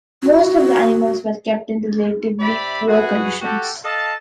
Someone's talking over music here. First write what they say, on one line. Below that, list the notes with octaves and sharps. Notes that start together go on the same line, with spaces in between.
Most of the animals were kept in relatively poor conditions.
F#4
C3 G4 D5 E5 B5
F#4 G#4 B4
F#4 G4 A4
A4 D#5 F5 A5